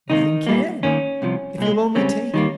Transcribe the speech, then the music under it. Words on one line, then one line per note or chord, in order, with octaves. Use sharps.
"Nothing CAN--if you'll only take it..."
C#2 C3 D#3 G3 A#3 D#4
A#2 G3 A#3
D#2 D#3 A#3 C#4
C2 C3 F3
C2 A#2 G#3
C#2 C#3 G3 C4 C#4
D#3 G3 A#3